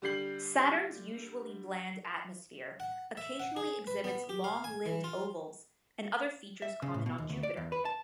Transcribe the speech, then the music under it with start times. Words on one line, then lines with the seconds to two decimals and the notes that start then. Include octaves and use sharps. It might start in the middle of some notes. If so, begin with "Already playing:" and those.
Saturn's usually bland atmosphere occasionally exhibits long-lived ovals and other features common on Jupiter.
0.02 D3 G3 G4 G6 C7 F#7
2.80 F#5
3.17 E5
3.40 F#5
3.57 G#4
3.87 B4
4.04 B3
4.29 G4
4.44 F5
4.64 G#5
4.86 E3
5.04 F4
6.62 E5
6.82 C#3
6.94 A2
7.06 B2
7.18 D#2
7.30 D2
7.43 D5
7.57 E2
7.72 B4
7.85 A5